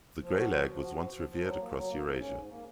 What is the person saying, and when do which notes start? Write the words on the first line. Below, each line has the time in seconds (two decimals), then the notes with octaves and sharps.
The greylag was once revered across Eurasia.
0.21 F3
0.37 F#4
0.52 F3
0.67 F3
0.82 F#4
0.97 F3
1.12 F3
1.27 F3
1.44 F#3
1.58 A#3
1.74 F#3
1.89 A#3
2.04 G#2
2.20 C#4
2.34 G#2
2.49 A#3